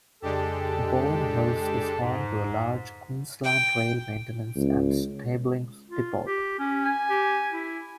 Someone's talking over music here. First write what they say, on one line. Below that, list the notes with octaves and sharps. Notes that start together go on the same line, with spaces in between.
Bowen Hills is home to a large Queensland Rail maintenance and stabling depot.
F2 C#3 G#3 D4 G4 A4 A5
G#2
G5
C#2
F4
G4
C#4
G#5
G4
E4